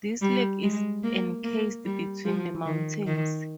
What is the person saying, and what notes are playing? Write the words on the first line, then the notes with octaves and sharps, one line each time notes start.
This lake is encased between the mountains.
G3
G#3
A#3
A#3
G3
F3
D#3
D#3